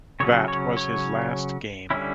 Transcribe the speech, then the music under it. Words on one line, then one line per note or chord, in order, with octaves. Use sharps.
That was his last game.
C#3 F#3 C#4 C#5
C#5
C#5
D3 G3 C#4 E4